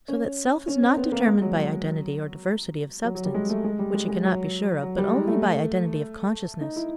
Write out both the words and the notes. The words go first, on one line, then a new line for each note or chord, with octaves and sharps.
So that self is not determined by identity or diversity of substance, which it cannot be sure of, but only by identity of consciousness.
C#4
C#4
C4
B3
A#3
G#3
F#3
F#3
F#3
F#3
G3
G#3
A3
G#3
G3
G#3
G#3
F#3
F#3
G3
G#3
A3
A3
D#4
E4